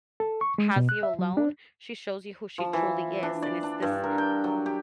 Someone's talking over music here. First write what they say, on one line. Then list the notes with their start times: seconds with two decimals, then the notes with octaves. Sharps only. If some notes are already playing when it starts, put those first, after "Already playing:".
has you alone, she shows you who she truly is, and it's this
0.20 A4
0.41 C#6
0.58 G#3
0.76 B2
0.89 F#6
1.03 E5
1.19 F#3
1.37 D4
2.58 F3
2.73 E3
3.23 D4
3.42 D5
3.63 D4
3.82 G2
4.04 A#4
4.18 G5
4.44 F#3
4.66 G4